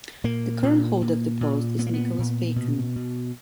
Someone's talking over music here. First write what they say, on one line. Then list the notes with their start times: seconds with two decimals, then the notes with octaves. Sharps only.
The current holder of the post is Nicholas Bacon.
0.24 A#2 A#3
0.63 A#2
1.02 A#2
1.41 A#2
1.78 A#2 B3
1.87 A#3
1.94 B3
2.18 A#2
2.56 B2
2.96 B2